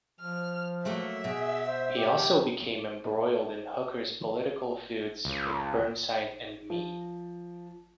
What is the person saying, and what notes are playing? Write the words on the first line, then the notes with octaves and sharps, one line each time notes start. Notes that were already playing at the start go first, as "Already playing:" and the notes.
He also became embroiled in Hooker's political feuds with Burnside and Meade.
F3 F6
F#3 A3 A#3 E5
B2 G#4
C5
G4
C#2
F3